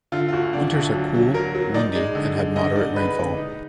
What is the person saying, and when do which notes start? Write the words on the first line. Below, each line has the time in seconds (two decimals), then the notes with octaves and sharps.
Winters are cool, windy and have moderate rainfall.
0.12 D3 F4
0.28 F4
0.33 D2 F#4
0.53 D4
0.74 D2
0.94 F#3
1.14 F#3
1.34 F#3 A#4
1.55 F#3
1.74 D#4 D5
1.95 G#3 D5
2.15 D3
2.36 G#3
2.56 D3 D#5
2.76 D#4 D5
2.96 G#3 B4
3.16 D3
3.37 D#4